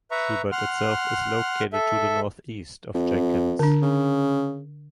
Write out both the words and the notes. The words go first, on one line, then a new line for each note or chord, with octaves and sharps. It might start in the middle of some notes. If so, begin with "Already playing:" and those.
Schubert itself is located to the northeast of Jenkins.
B4 E5 A#5 C#6
F#5 C6 F6
A4 E5
F2
D3 D4
C#3